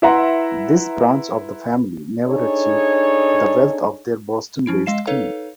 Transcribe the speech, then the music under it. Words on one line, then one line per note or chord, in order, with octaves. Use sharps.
This branch of the family never achieved the wealth of their Boston-based kin.
E4 B4 E5 F#5 A#5 C6
D4 D#4 G#4 A4 C#5
F3 C#4 E4 D7
G#3 D#5 F5 C7 E7
D#4 A4 B4 C#5 F5